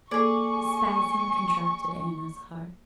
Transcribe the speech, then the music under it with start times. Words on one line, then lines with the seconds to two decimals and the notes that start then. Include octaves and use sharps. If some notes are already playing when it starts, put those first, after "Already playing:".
A spasm contracted Anna's heart.
0.11 A#3 G#4 A4 D5 G#5 C#6 G#6